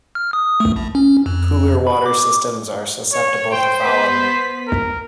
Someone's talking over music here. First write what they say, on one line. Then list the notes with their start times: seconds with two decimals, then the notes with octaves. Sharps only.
Cooling water systems are susceptible to fouling.
0.15 F6
0.33 D#6
0.60 A3
0.76 A#1
0.95 C#4
1.26 F2
1.87 B5
2.06 D6
3.13 C#5
3.51 C5 G5
3.82 B3 B4 B6
4.67 A#4